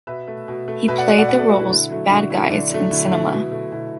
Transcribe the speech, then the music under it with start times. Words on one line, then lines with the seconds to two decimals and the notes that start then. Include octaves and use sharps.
He played the roles bad guys in cinema.
0.07 B2 B4 E5
0.27 A3
0.48 B2
0.68 A3
0.88 B2 B4 E5
0.98 D5 F#5
1.08 A3 D5 F#5
1.18 D5 F#5
1.29 B2 D5 F#5
1.39 A4 D5
1.49 A3 F#4 B4
1.59 E4 A4
1.69 D3
1.89 F#3 A3
2.10 D3 D4 F#4
2.30 F#3 A3 E4
2.50 D3 D4
2.71 F#3 A3
2.91 D3 E4
3.11 F#3 A3
3.31 B2
3.52 A3
3.72 B2 E4